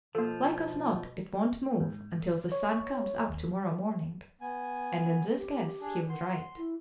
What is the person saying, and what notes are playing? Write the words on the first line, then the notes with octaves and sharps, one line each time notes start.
"Like as not it won't move until the sun comes up tomorrow morning," and in this guess he was right.
B2 F3 A#3 A4
G#2
C#5
D#2
B3 G#5
G4
D4 G#4
F#5 C6
E4